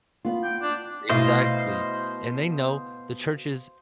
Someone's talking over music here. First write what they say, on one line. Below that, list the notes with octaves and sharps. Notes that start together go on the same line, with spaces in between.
exactly, and they know the churches,
B3 F4
G5
D4
B2 A3 E4 C5 D#5 F5